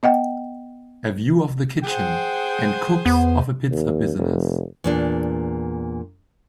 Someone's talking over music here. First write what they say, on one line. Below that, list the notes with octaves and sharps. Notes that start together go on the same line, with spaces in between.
A view of the kitchen and cooks of a pizza business.
B3 D#5 F#5 G5
G#4 C5 F#5 G5
E2 B3
D#2
F1
E2 A#2 D4